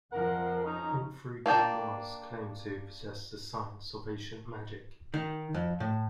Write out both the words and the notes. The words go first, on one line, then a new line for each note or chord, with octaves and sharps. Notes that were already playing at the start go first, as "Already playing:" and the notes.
All three grimoires claim to possess the science of ancient magic.
F2 F3 A#4 F#5
C#4 D#4 A#5
A#3 D4 G5 A5
D#3
F2
A2